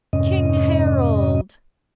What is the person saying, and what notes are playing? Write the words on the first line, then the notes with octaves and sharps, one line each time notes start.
"King Harald!"
F2 G#2 C3 C#4 D#5